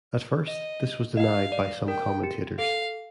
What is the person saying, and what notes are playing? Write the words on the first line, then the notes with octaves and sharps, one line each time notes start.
At first, this was denied by some commentators.
D#5
D#5 F5
D5
A#4 G5
G4
A4 F5